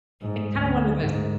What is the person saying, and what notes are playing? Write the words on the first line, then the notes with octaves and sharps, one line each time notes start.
it's kinda one of those thing
G#2
D2
G#2